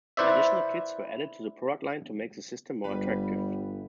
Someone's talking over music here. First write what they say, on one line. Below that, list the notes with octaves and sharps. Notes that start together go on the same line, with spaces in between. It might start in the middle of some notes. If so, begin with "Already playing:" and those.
Additional kits were added to the product line to make the system more attractive.
E4 B4 C5 D5 E5
G1 G3 B4